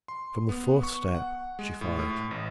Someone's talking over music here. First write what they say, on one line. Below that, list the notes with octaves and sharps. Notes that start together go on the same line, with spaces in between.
From the fourth step she fired.
C6
B3
C#6
F#5
G#3
A2
A2
A1